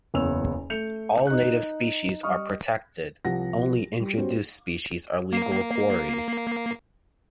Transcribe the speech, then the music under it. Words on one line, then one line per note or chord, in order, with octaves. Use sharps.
All native species are protected, only introduced species are legal quarries.
F#1 E2 C#5 E6 F7
A3 G6 C#7 F7
D#4 F#6
G3 D#5 C#6 D#6 F6
C2 F3 G4 F#5 A#6
G3
G3 B3 C#4 F#4 C5
A#3 C7